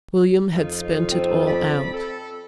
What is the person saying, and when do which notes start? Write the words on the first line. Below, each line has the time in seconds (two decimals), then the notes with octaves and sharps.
William had spent it all out.
0.55 F2 D#4 F4
1.11 C4
1.47 D5 A5 B5
1.94 A4